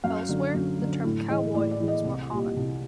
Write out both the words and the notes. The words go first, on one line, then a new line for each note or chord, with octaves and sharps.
Elsewhere, the term "cowboy" is more common.
F#2 F5
D3 F#3
F#2
D3 F#3
A2
E3 G#3 D#5
A2 D5
D5
E3 G#3
D#5
C2
A#2 G3
C2